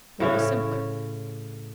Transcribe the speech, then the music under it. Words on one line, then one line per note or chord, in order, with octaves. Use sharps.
What was simpler?
A2 C#3 C#4